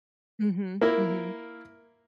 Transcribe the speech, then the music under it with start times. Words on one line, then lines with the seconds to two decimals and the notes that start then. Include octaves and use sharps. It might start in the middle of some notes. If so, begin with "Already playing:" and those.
Mhm, mhm.
0.81 A#3 E4 A#4